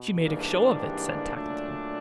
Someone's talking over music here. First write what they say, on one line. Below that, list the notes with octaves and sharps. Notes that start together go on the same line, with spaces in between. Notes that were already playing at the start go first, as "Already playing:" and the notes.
"She made a show of it," said Tackleton.
Already playing: B2
G#2 E3 G3 A#3 D4
G4
A#2 F#3 A3 D4